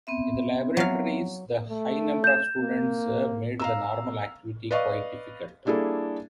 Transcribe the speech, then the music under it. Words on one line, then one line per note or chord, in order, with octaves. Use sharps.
In the laboratories the high number of students made the normal activity quite difficult.
B3 C4 E5
F#3 F5
A3
G6 E7
A#3
F5 A#5 E6
B4 D5 D#5 F5 C#6
G3 A#3 D4 E4 G#4 A4